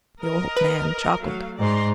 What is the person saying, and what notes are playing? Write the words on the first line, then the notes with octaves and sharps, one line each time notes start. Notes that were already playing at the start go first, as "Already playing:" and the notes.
The old man chuckled.
A#4 D#5 A#5
B4
F#3 A3 F5
G#2 D5 A#5 C6